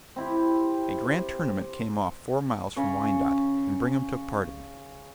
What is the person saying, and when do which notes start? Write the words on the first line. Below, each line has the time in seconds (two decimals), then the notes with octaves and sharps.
A grand tournament came off four miles from Wyandotte, and Brigham took part in it.
0.16 C4 E4 G4
2.76 C#3 C#4 C#5